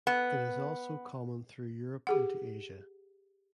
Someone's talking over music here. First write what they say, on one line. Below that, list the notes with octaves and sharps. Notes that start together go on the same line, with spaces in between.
It is also common through Europe into Asia.
B3
G4 G#4 F#5